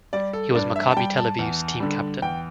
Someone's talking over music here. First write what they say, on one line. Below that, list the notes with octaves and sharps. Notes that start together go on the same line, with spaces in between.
He was Maccabi Tel Aviv's team captain.
G3 D5
A4
G2 D5
E5
A5
G3 G5
A5
E2
D3 G3
E2 G5